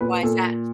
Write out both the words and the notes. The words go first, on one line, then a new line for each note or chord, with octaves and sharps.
Why's that?
A#2 B4
B4
A#2 A4